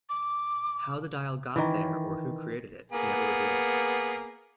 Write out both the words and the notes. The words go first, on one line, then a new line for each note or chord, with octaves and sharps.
How the dial got there or who created it is never revealed.
D6
D#3 E3
A#3 B3 G#4